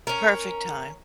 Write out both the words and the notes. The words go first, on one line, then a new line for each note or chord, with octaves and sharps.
Perfect time.
C#4 A#4